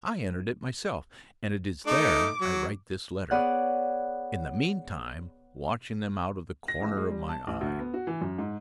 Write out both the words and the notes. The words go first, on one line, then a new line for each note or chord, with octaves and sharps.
I entered it myself, and it is there I write this letter, in the mean time watching them out of the corner of my eye.
A3 D#4 D6
F#3
B3 G#4 C#5 D5 F#5
A#6
A1
G#3
G3
A5
A1
D2
B3
F#4
E3
F#2
G#2